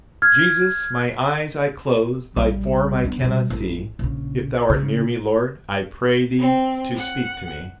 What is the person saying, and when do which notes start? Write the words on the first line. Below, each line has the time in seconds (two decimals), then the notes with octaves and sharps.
"Jesus, my eyes I close, Thy form I cannot see; If Thou art near me, Lord, I pray Thee to speak to me."
0.22 F6 G#6
2.37 A#1 G3
3.05 B3 D4
3.20 B2 G3
3.50 A1
3.99 A#1 C#3
4.70 C#3
6.39 C4
6.95 F#5